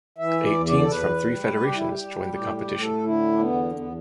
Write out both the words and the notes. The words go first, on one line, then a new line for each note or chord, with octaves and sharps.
Eight teams from three federations joined the competition.
E3 E5
D5
E2
D5
A4
E2 B4
G3
G3 G4
E4
G4
G3
A2 G4
G4
A2
A4
D3 E4
D4
E2 B3
E2 B3